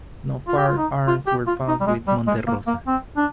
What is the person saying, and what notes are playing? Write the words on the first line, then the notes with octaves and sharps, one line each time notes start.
No firearms were found with Monterrosa.
F4
G4
F4
D#4
F4
G4
F4
D#4
G3
G#3
G3
G#3
A#3
A#3
C4
D4